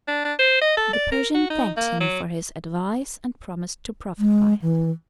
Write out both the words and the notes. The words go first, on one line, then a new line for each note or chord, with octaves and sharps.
The Persian thanked him for his advice, and promised to profit by it.
D4
D4
C5
D#5
A4
D5
A#4
F#4
D#4
A#3
F#3
G#3
E3